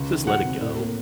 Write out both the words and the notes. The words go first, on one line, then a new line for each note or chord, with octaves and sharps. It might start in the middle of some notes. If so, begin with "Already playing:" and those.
just let it go."
Already playing: C#2
D#3
F#3 F#5
C3
A2
A#3